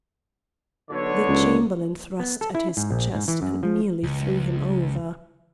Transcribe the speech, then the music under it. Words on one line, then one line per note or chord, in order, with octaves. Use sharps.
The Chamberlain thrust at his chest and nearly threw him over.
B1 D3 C#5
C#2
B3
A4
E4
G#2
A#1
G#2
E3
F#2
F3
C#2